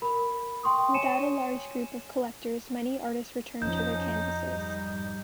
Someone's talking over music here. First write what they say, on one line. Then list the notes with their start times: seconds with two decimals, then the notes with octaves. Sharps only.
Without a large group of collectors many artists returned to their canvases.
0.02 A#4 B5
0.63 G5 C6 C#6 D#6
0.94 C#5 G#5 C#7 D#7 E7
3.62 F2 F3 C#4 D#4 G6
4.49 G#2 G3